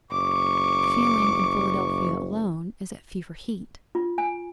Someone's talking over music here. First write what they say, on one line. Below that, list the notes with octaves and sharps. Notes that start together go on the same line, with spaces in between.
"The feeling in Philadelphia alone is at fever heat."
F#1 C#6 D6
F4
G#5